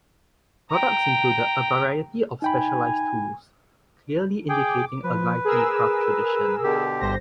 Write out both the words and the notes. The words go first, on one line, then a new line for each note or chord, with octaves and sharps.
Products included a variety of specialised tools, clearly indicating a lively craft tradition.
G5 A#5
D#4 G5 G#5 B5
G#4 G5 D6
F3 B4
G#4 A#4 E6
B2 D3 G4
G1 C5 A#6